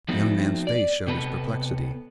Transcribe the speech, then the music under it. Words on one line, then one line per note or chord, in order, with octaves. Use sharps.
The young man's face showed his perplexity.
F3 A3 B3 C4 D#4 F#4
D5
C3 B3 A4 B4